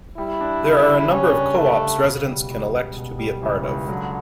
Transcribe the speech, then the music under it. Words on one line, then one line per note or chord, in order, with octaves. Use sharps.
There are a number of co-ops residents can elect to be a part of.
G3 E4
D4
C#3
C#3
G3 C#4
D4
C#3 A3
C#3
B2
G3
C#2
C#2
B2
G3
C#2 E3
C#2
D3 F#3